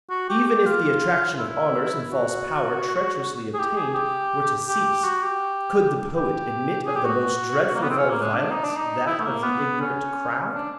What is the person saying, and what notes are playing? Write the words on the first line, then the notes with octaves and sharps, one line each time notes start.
Even if the attraction of honors and false power treacherously obtained were to cease, could the poet admit of the most dreadful of all violence, that of the ignorant crowd?
F#4
G4
G4
F4
E4
F#4
G#4
G4
G#4
G4
G4
F#4
G4
G4
G#4
G4
F#4
A#3
B3
C4
C#4
A#3
G#3
D4
D#4
D4
D#4
E4
A3
A#3
B3
C#4
D4